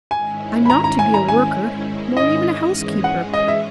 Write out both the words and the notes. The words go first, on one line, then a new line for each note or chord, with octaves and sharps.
I'm not to be a worker, nor even a housekeeper.
G#2 D#3 G#3 C#4 E4 G#5
B5
A#5
A#5
G#5
A#5
G#5
D#5
G#2 E3 G#3 C#4 G#4
F#5
D#5
E5